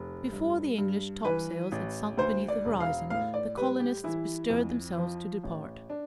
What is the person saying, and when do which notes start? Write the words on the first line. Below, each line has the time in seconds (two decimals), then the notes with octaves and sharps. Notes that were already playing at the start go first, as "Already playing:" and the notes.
Before the English top-sails had sunk beneath the horizon, the colonists bestirred themselves to depart.
Already playing: F1
0.32 G2
0.78 G2
1.25 E3 B4
1.72 A1
2.17 D2 C5
2.48 D5
2.65 E1
2.80 F5
3.10 A2 F5
3.34 D5
3.57 G3 B4
3.80 G4
4.04 E3 E4
4.50 F2
4.97 F3
5.43 A1
5.90 D4